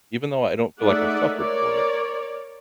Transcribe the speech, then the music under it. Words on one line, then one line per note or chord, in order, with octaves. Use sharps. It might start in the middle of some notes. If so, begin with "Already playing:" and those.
even though I don't feel like I suffered for it.
G#3 A3 D#4 D5 E5 F#5
A#4 C#5 D5